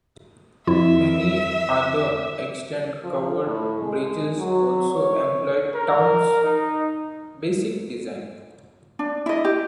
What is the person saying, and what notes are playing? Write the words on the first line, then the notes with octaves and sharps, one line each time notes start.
Many other extant covered bridges also employ Town's basic design.
F2 E4 E5
F3
A2
G#3
F#3
C#5
A#4
D#4
D4
E4 D#5
G4